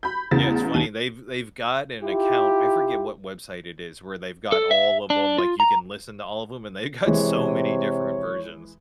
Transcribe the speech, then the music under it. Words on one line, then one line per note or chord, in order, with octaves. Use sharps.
Yeah. It's funny. They've they've got an account. I forget what website it is where they've got all of ‘em like, you can listen to all of ‘em, and they've got so many different versions.
B5 G6
A1 E2 C#3 A6
D#2 D#7
E4 F4 G4
A4
E5
D4
F4
A#5
C3 E3 G#3 C#5